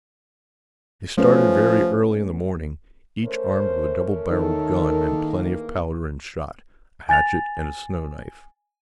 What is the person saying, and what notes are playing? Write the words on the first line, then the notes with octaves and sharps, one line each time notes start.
They started very early in the morning, each armed with a double-barrelled gun and plenty of powder and shot, a hatchet, and a snow knife.
F3 A3 C#4 B4
A3 C#4 A#4 C5
D#3 A4
E2 A3 A#3
G#5 A6 F7